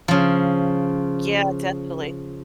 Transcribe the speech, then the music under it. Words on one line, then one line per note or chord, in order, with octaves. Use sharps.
Yeah. Definitely.
C#3 F3